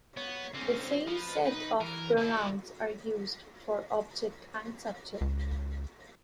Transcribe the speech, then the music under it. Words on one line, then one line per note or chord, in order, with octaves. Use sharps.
The same set of pronouns are used for object and subject.
B3 C#5
D3 C4 C#4
F3 B4
B1 D#4 B4
E3 A#4
D3 E4 A4
C#2